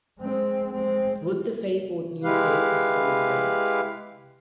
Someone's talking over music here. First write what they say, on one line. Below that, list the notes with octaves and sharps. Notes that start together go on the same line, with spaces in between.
Would the fabled newspaper still exist?
G#3 C4
G#3 C4
G#3 E4 G4 B4 F5